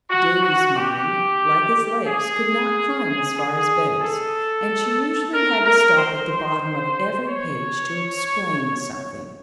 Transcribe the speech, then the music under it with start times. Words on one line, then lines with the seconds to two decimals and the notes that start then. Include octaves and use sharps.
Davy's mind, like his legs, could not climb as far as Betty's, and she usually had to stop at the bottom of every page to explain something.
0.10 F#4
0.43 F#4
0.76 G4
2.06 G#4
3.36 G#4
4.01 A4
5.32 A#4
5.64 A#4
5.97 C5
7.27 C#5